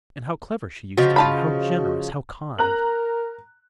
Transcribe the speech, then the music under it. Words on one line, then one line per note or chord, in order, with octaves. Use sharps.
And how clever she used to be... how generous... how kind!
C#3 F3 F#4 D#5
F4 A5 B5
A#4 A#5 F#6 F#7